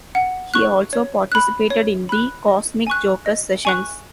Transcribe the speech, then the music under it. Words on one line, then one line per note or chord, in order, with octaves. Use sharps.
He also participated in the Cosmic Jokers sessions.
F#5
C#6 F#6
C#5
B5 F#6
C#5
B5 F#6
D#5
G#5 C#6 F#6
D#5
G#5 C#6 F#6